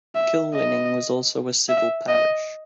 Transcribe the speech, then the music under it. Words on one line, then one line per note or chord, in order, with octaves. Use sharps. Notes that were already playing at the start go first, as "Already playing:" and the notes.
Kilwinning was also a Civil Parish.
E5
D#5
E5
D#5